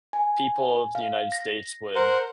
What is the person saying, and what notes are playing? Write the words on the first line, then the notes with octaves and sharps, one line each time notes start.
people of the United States would
G#5
F5
A#6
A#4 C5 F#5